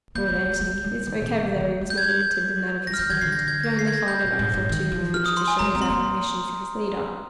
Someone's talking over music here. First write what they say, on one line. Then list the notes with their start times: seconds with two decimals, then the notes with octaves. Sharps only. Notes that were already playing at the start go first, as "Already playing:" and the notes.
Lord Antony, whose vocabulary was more limited than that of his friend, could only find an oath or two with which to show his admiration for his leader.
0.15 A#3 G6
0.31 G#3
0.46 A#3
0.61 G#3
0.72 G3
0.84 G#3
0.96 G3
1.07 D#3
1.22 C3
1.37 D3
1.52 D#3
1.61 G#3
1.67 G3
1.81 G#3
1.90 G6
1.97 G#6
2.87 G3 A#6
2.94 F6
2.99 F3 G6
3.10 D#3 G#6
3.21 D3 C7
3.32 A#6
3.48 G#6
3.64 A#6
3.79 C7
3.87 G#6
3.93 A#6
4.08 G6
4.24 C3
4.39 G#2
4.53 G#2
4.69 D#3
4.92 F3
5.14 F6
5.26 D#6
5.37 C6
5.48 G#5
5.59 G#3 A#5
5.75 C4
5.82 C6
5.90 A#3